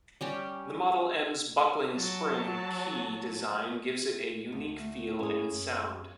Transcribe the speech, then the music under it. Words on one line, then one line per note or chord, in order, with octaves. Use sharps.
The Model M's buckling spring key design gives it a unique feel and sound.
G3 C#4 G4
F#3 A5
D2
A3
C#4 E4 G#4
F#2